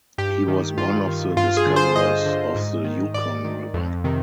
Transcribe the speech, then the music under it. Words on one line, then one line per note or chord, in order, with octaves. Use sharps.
He was one of the discoverers of the Yukon River.
G2 G4
D#3
G2 F4
D#3
G2 F4
G#4
D3
C5
G2 D#5
D3
G#2
D#3
G#2 D5
D#3
F2
C3 D#3